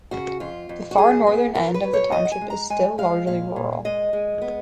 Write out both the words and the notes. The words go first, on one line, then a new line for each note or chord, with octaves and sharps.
The far northern end of the township is still largely rural.
C#3 F#4
F2 F4
F2
F#4
F#2 G#4
B3
F#3 A#4
B4
F#3
C#5
F#2 D#5
F#5
G#5
G#3
A#5
G#3 G#5
G#3 F5
A#2 F5
A#2
G#3 D#5
G#3
B3